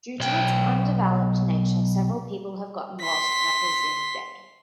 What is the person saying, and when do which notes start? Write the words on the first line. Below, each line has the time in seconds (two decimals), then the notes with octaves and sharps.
Due to its undeveloped nature, several people have gotten lost and are presumed dead.
0.20 B1 G5
3.01 C6 B6